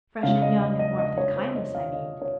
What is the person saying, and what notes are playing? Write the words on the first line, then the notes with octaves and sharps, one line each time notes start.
'Fresh and young in warmth and kindness, I mean.
C#3 G#3 F5
D#5
D#5
D#5
D#5
C#5
C5
D#5
F5
D#5
C#5